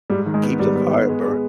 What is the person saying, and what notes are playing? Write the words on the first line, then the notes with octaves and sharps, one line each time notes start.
Keep the fire burn
G#2 G3
D#3
G#3
B3
G#2 G3
B3
B3
G#3
G#3